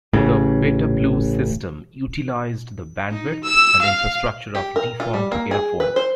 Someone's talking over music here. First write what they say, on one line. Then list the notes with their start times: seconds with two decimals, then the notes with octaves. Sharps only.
The "BetaBlue" system utilized the bandwidth and infrastructure of defunct Airfone.
0.13 A1 A2 C#3
3.11 D#4
3.44 E6
3.82 F5
4.55 G4
4.76 A#4
5.00 F4
5.14 G3
5.32 A#3
5.51 G#4
5.80 B4
5.96 C5